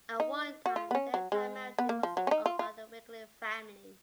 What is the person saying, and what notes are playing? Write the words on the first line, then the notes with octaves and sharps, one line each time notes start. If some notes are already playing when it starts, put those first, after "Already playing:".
At one time the entire mountain was owned by the Wigley family.
D#4
F#4
F4
B3
C#4
F#3
G#3
B3
A#3
F3
F#3
C#4
D#4
F4
F4